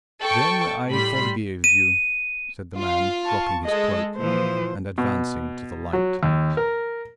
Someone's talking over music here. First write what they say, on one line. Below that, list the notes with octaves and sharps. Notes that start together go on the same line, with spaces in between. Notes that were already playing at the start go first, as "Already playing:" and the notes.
"Then I forgive you," said the man, dropping his cloak, and advancing to the light.
A4 G5 A5 C#6
A2 G3 B5 C6
D#7
F4 F5
A5 C#6
G#3 A4 D#5
A#2 E3 F3 C5
B2
F#3
D#2
A#4